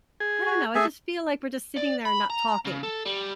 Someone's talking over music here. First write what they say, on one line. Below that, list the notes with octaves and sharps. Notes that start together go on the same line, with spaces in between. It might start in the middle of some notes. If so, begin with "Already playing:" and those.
I don't know, I just feel like we're just sitting there and not talking
G#4
F#4
A3 G#4 E5 G#5
D5
B5
A#5
C#3
A4
G3